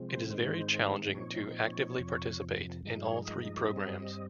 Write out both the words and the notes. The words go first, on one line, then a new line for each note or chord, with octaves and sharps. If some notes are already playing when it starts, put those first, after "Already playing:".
It is very challenging to actively participate in all three programs.
Already playing: C3 F3 G#3 C4
C5
G#2 D#3 G#3 C4 D#4 C5
C#5
C5
A#2 F3 C4 D#4 C#5
C#5
F2 C3 F3
G2 F3 G#3 D#4
C#5
D#5
G2 G3 C4 D#5